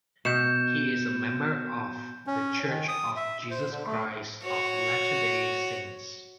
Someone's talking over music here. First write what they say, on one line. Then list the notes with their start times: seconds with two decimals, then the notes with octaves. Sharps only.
He is a member of the Church of Jesus Christ of Latter-day Saints.
0.25 B2 G6 C#7 E7
2.27 C#4
2.68 D#3
2.88 D#6
3.17 E5
3.51 C5
3.70 D3
3.86 A3
4.43 F#4 C#5